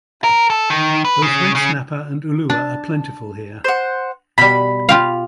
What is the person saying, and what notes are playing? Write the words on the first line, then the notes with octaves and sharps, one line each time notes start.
Both red snapper and ulua are plentiful here.
A#4
A4
D#3
B4
C#3
C#3
D4 A5
C5 F#5
B2 G3 B5
F4 G4 F5